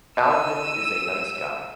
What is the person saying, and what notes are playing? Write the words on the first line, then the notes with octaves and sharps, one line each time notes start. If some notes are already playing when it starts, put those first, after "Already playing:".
Alvyn is a nice guy.
E6 D#7